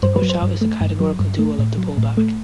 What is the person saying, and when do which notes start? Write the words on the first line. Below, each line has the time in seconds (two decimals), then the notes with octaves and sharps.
The pushout is the categorical dual of the pullback.
0.03 G2 C5
0.16 B4
0.22 F#3
0.30 C5
0.42 G2
0.61 A3
0.81 G2
1.00 F#3
1.19 G2
1.39 A3
1.59 A2
1.78 F#3
1.98 A2
2.17 A3